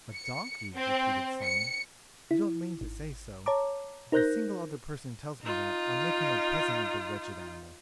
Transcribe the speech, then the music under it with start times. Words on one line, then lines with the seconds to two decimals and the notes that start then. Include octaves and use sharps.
'A donkey!' repeated Simon, 'you don't mean to say so; if a single other person tells me that, I'll make him a present of the wretched animal.'
0.14 C#7
0.75 C4
1.43 C#7
2.31 E4
2.81 G#1
3.46 C#5 A5 A#5 D6
4.12 D#4 A#4 C5 F#6 G6 A#6
5.41 D#4 F4